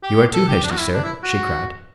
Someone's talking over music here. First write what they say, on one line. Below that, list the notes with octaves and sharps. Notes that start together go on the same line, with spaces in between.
"You are too hasty, sir," she cried.
G4
A4
G4
D4
F#4
E4
D4
E4
F#4